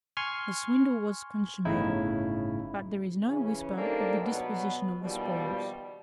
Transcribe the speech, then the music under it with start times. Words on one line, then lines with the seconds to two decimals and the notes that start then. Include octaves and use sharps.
The swindle was consummated, but there is no whisper of the disposition of the spoils.
0.17 G#5 C6 C#6 F6
1.65 G1 A2 C#3 D#4 E4
3.27 C#3 E3 C#4
3.77 G3 A#3 C4 D4 D#4 A4
4.21 B2 F#3 B3
5.01 D#2 B2 F3 G3